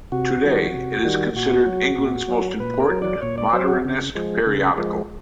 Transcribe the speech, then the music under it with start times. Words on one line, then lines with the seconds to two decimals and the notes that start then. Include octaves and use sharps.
Today, it is considered England's most important Modernist periodical.
0.12 C3 F#4
0.43 D#3 G3
0.74 C3
1.04 D#3 G3
1.35 A#2 F#4
1.66 F#3
1.98 A#2
2.28 F#3
2.59 A#2 B4
2.80 A#4
2.91 F#3
3.02 D5
3.22 A#2 C#5
3.38 D5
3.53 F#3 C5
3.68 F#4
3.85 C#3
4.15 F3 G#3
4.46 C#3
4.78 F3 G#3